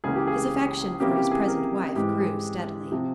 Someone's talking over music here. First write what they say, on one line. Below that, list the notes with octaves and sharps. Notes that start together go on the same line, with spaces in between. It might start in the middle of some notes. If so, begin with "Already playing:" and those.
His affection for his present wife grew steadily.
C#2 C#3 E3 A#3 G#4
G4
G#4
C3 E3 A#3 C#4 E4 G4
G4
G#4
A#4
G#2 E3 G#3 G4
G#4
C3 F3